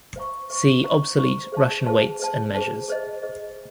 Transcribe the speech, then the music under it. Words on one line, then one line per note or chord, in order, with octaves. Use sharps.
See Obsolete Russian weights and measures.
C5 F5 A#5 C#6
C5 F5 A#5 C#6
C5 F5 A#5 C#6
C5 F5 A#5 C#6
G#4 C5 F5 A5
G#4 C5 F5 A5
G#4 C5 F5 A5
G#4 C5 F5 A5
G#4 C5 D#5
G#4 C5 D#5